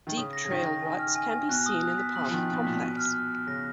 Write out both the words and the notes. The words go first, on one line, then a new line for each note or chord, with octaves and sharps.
Deep trail ruts can be seen in the park complex.
D#3
C#3 D#6
A#6
C#3
D#3 A#6
A#6
G#5
F6
G#5
G#5
B2 F#6
D#6
F#6
B6
B2 F#7
F3
D#3 B5
B2 F#6
A#2 B6
A#2
B2 D#7
F6
F6
F6
C#3 A#6